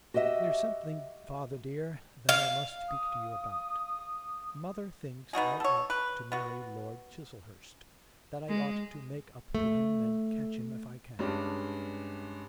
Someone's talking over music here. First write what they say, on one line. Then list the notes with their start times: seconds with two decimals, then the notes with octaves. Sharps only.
'There's something, father, dear, that I must speak to you about.... Mother thinks I ought to marry Lord Chiselhurst, that I ought to make up to him and catch him if I can.
0.14 F#4 G4 D#5 E5
2.29 F5
2.88 D#6
5.33 B3 D#4 F#4 G#4
5.60 A4 C#5
5.90 B4
6.32 B3 F#4
8.48 G#3
9.55 A3
11.19 G2 G#3 C#4 D4 G4